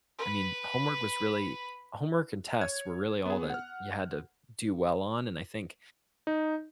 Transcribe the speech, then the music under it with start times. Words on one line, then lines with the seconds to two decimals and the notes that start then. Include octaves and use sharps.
I mean, homework was really homework and tests were really all that you had to do well on, and I think
0.18 B4 B5
2.60 C#5 G#6
3.26 B3 G#4
3.50 F#5 F6
6.27 D#4